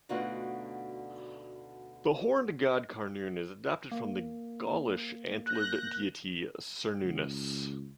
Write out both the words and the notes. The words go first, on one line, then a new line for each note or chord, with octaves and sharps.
The Horned God, Carnun, is adapted from the Gaulish antlered deity Cernunnos.
D2 B2 D3 D#4 F4 F#4
A#3
F#6 G6 A#6
C#2